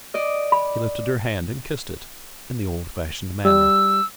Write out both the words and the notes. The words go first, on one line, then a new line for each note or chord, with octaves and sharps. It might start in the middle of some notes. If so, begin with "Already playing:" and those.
He lifted her hand and kissed it in the old-fashioned manner.
D5 D#5
B5
G3 E6